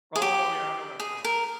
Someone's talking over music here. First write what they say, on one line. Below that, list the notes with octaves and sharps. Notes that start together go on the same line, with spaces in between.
Oh yeah, I know that song,
G#4
G4
G#4
A#4